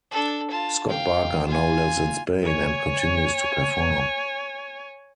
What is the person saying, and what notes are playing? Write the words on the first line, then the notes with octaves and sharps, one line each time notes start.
Scott Barker now lives in Spain and continues to perform.
D4 A4
F4 A5
F5 G5
F4 G#5
C#5 G#5